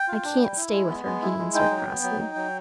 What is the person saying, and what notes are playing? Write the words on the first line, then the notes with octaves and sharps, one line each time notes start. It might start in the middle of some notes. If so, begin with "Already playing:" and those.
'I can't stay with her,' he answered crossly.
Already playing: G5
F4
D4
G3
E4
G#3
B3
G#3
E4
G#3
D#4 G5
F#3
B3
F#3
D#4
F#3